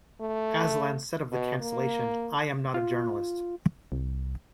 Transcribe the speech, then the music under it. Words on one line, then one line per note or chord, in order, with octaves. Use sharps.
Aslan said of the cancellation, I am not a journalist.
A3
B2
A#3
F4
C2